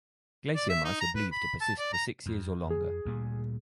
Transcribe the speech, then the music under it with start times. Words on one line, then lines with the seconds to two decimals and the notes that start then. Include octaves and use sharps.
Glacier mice are believed to persist for six years or longer.
0.55 D5
0.69 E5
0.85 D#4
1.00 A#5
1.16 B4
1.32 B5
1.61 A5
1.79 D5
1.93 A#5
2.26 F2
2.70 G#4
3.05 D2 A#2 G3